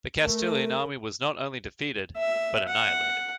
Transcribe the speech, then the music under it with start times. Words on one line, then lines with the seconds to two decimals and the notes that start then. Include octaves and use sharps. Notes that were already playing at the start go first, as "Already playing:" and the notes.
The Castilian army was not only defeated, but annihilated.
0.22 A3 A#4
2.18 E5
2.68 F#5